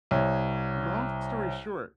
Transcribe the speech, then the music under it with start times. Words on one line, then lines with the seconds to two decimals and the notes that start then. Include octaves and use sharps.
long story short,
0.11 C2 C#5